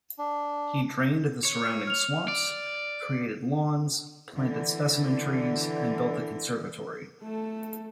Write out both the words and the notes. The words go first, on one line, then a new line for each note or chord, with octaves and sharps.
He drained the surrounding swamps, created lawns, planted specimen trees, and built the conservatory.
D4
C#5
F6 F7
D5
D3 E3
A3 A4